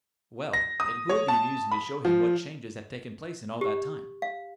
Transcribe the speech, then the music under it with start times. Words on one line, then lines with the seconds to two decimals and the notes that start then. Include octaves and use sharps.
Well, it will be amusing to show him what changes have taken place in all that time.
0.53 A#6
0.80 D#6
1.09 C#5
1.28 A5
1.72 B5
2.05 F3
3.61 G4
4.22 F5